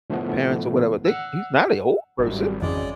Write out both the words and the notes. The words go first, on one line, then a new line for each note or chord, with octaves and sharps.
parents or whatever, they He's not an old person,
A2 D3 F3 A3 B3
F#5 E6
G#1 F#2 F#3 G3
F2 C#3 E3 G#3 D5